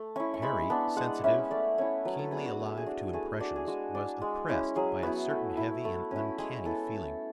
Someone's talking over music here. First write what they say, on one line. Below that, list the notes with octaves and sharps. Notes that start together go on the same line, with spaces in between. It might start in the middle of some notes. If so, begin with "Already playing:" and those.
Harry, sensitive, keenly alive to impressions, was oppressed by a certain heavy and uncanny feeling.
Already playing: A3
C#4 E4 C#6
C#6
G#3 B5
B3 D4 A5
G#3 F#5
C#4 E4 E5
A3 D5
C#4 E4 C#5
F#3 B4
A4
B3 D4 G#4
F#4
A3
G#4
D4 F#4
A3 G#4
D4 F#4
G#4
G#3 F#4
D4
G#3
C#4 E4
F#3 G#4
B3 E4 F#4
A3
E4
A3
C#4 E4
G#3 G#4
B3 E4 A4
A3